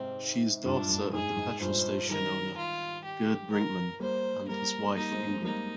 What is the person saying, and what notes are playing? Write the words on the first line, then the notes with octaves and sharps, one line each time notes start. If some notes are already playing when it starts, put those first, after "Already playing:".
She is daughter of the petrol station owner Gerd Brinkmann and his wife Ingrid.
Already playing: G#2 C3 C4
G2 A#2 D4
G2
G#2 G#4
G#2
G2 A#2 C5
D#3 G3 A#4
F4
G4
A#4
G3 A#3 C5
G3 A#3 A#4
G3 A#3 D#4
G#3 C4
G#3 C4
G3 A#3 D#4